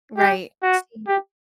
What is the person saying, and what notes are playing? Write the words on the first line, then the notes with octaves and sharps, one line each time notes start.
Right. See,
G4
F#4
G4